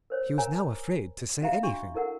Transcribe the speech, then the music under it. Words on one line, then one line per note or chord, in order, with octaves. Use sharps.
He was now afraid to say anything.
A#4 C5 C#5
A#4 C#5 G#5 A#5
C#4 G4 E5 F5 A#5
D4 F#4 C#6
E4 A4 A#4 F#5